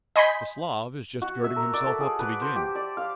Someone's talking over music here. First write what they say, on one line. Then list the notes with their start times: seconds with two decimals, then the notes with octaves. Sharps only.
The Slav is just girding himself up to begin.
0.16 D#5 G#5 B5 C6 G6 B6
1.22 F#4
1.44 E5
1.56 A#4
1.74 D5
1.86 A4
2.01 G#4
2.19 B4
2.42 C5
2.56 G4
2.75 D5
2.97 F5